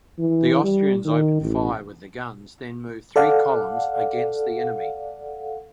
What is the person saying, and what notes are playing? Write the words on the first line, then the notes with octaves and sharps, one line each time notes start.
The Austrians opened fire with the guns, then moved three columns against the enemy.
E3
G3
D#3
A1
A4 D5 F5 F#5